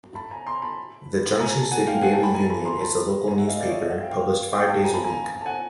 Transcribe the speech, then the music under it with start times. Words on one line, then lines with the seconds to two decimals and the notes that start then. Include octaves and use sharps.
The "Junction City Daily Union" is the local newspaper, published five days a week.
0.15 A5 B5
0.31 G#5 A#5
0.46 A#5 C6
0.62 A5 B5
1.40 G#5 A#5
1.61 A5
1.71 F#5 G#5
1.87 F5 G5
2.02 F#5 G#5
2.13 G5 A5
2.23 A5 B5
2.34 G#5 A#5
2.50 A5 B5
2.65 A#5 C6
2.81 A5 B5
3.28 G#5 A#5
3.38 E5 F#5
3.48 D#5 F5
3.58 D5 E5
3.69 C#5 D#5
3.80 D#5 F5
3.90 E5 F#5
4.00 F5 G5
4.11 F5 G5
4.52 F5 G5
4.68 G5 A5
4.84 G#5 A#5
4.94 A5 B5
5.04 G#5 A#5
5.41 A5
5.46 F#5 G#5